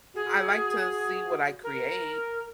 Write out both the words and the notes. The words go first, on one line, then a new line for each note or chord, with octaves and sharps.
I like to see what I create,
F#4 G#4
A#4